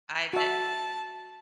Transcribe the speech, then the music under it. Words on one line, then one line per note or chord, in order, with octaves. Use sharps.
I bet.
F#4 E5 A5